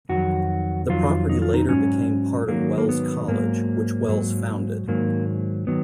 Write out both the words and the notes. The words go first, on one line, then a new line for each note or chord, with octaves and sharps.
The property later became part of Wells College, which Wells founded.
F2 D#3 F#3 F#4
F2 D#3 F#3 F4
D#4
F4
D#4
G#2 D#3 F#3 C#4
G#2 D#3 F#3 A#3
A#3
B3
G#2 F#3 A#3
G#2 F#3
G#2 D#3 F#3 A#3
D#3 F#3 B3